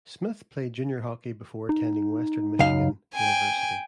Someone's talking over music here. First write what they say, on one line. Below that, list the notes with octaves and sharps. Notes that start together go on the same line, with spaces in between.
Smith played junior hockey before attending Western Michigan University.
D#4
C#2 F#2 F5
G5 G#5